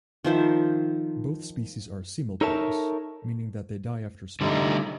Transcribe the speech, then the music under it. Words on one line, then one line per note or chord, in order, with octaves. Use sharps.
Both species are semelparous, meaning that they die after spawning.
D#3 F3 C5 E5
D#4 A4 A#4 C#5 E5 A5
D3 G3 A3 D#4